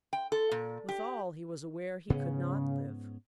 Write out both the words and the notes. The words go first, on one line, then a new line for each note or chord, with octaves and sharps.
Withal he was aware he could not live.
G5
A4
A#2
G4
G#2 C#3 B3 C#4